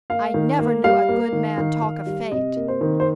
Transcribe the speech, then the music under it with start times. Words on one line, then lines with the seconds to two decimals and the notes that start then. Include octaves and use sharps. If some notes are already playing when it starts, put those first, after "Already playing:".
I never knew a good man talk of fate.
0.10 A#3 F5
0.34 D#3
0.59 A#3
0.84 G3 F5
1.09 A#3
1.33 D#3
1.58 D#3
1.82 D#3
2.06 G3
2.32 C3 D#5
2.56 A#3
2.68 C5
2.81 D#3
3.00 C5